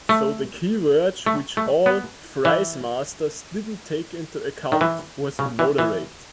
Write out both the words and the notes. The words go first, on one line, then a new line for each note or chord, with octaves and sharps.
So, the keyword which all fries-masters didn’t take into account was - moderate.
A3
A3
A3
B3
E3
D#3
E3
C#3
E3
E3